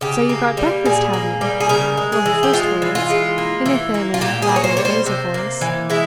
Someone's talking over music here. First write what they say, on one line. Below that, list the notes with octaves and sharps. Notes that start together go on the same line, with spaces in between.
'So you've got breakfast, have you?' were her first words, in a thin and rather nasal voice.
C#3 G4
A#3
G3
A#2 G#4
A#3
G3
G#4
C#3 A#4
G#3
G#4
E3
G4
G#3 F4
E3
F4
G#3
A#3
E3
A#3
F4
A#2 G4
G#4
A#3
C#5
C5
G3 C#5
C5
C3
A#3
E3
G#3 E4